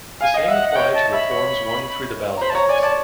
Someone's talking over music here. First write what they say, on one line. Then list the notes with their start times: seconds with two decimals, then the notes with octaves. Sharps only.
The same applied to reforms won through the ballot box.
0.21 F5 G#5
0.34 D#5
0.37 F5
0.48 E5 F#5
0.62 D#5
0.69 F#5
0.75 C#5 G5
0.94 D#5 A5
1.13 E5 B5
1.31 C#5
2.37 A#5
2.41 C5 B5
2.50 A5
2.55 C#5 A#5
2.69 D5 G#5
2.83 D5 A5